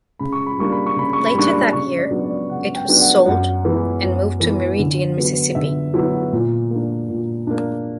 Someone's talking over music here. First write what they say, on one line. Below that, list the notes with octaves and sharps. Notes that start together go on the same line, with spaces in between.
Later that year, it was sold and moved to Meridian, Mississippi.
C#3 B5
C#6
B5
G3 A#3 D4 C#6
B5
C#6
C#3 B5
C#6
B5
G3 A#3 D4 C#6
B5
C#3 C#6
D5
F#3 B3 D4
D5
C#3 F#5
G5
F#3 B3 D4
F#5
F#2 F#5
E3 B3 E4
F#2
E3 B3 E4
D3
F#3 B3
D3 E5
F#3 B3 E4
F#4
A#2
A#3 D4
A#2
A#3 D4